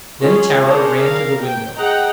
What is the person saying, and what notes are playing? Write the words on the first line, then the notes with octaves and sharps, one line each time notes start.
Then Tara ran to the window.
G#3 C#4 F4 G#4
C#4 D4 G#4 A#4 C5
A#4 F5
G5
G#4 D#5 F#5 G5 A#5